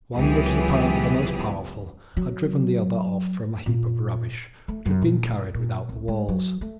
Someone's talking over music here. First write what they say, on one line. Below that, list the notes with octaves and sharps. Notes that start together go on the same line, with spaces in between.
One, which was apparently the most powerful, had driven the other off from a heap of rubbish which had been carried without the walls.
C#2 E3 F#3 B3 G4 G#4
F#3
A#2
A3
F#2
A#2
C#2
A#2
C2
G#3
F#3
A3